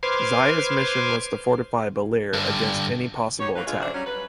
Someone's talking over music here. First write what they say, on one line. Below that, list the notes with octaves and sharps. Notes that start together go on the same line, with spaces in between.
Zayas mission was to fortify Baler against any possible attack.
B4 C5 C6 D6 F6 G#6
G2 D3
D#4 F#4 G4 C#5
D#3 E3 F#3 A#3 B4
D2 A#2 D3 G#3 F4
F#2 D3 F#3 D4 C5 E5
F#3 G3 C#4
F#3 G3 C#4 B4